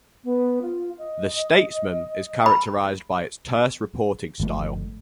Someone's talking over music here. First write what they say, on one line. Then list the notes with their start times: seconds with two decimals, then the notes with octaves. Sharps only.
"The Statesman" is characterized by its terse reporting style.
0.24 B3
0.62 F4
0.98 D#5
2.46 B5
4.40 G1 F3 A3